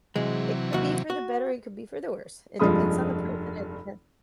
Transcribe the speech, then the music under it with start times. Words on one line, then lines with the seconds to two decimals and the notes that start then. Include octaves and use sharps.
It could be for the better, it could be for the worse. It depends on the person, it depends
0.16 C3 E3 F#3 G#3
0.73 D#2 F#4
1.10 F#4
2.59 F1 G2 F3 G#3 B5 D#6